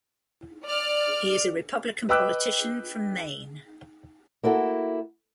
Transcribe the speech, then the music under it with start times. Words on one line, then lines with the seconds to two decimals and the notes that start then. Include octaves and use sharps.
He is a Republican politician from Maine.
0.66 D5 F6
2.09 B4 D#5 G5 D6 E6 F#6
4.43 A#3 E4 F#4 A4